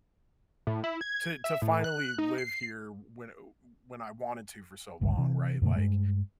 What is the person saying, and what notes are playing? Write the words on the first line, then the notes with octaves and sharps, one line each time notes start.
to to finally live here when, uh, uh, when I wanted to for so long, right? Like
A2
E4
G#6
E5
A2
F#6
D#4
C7
G1 C#2 G2
C3 E3
F#2 B2 D3 A3
G2 G#3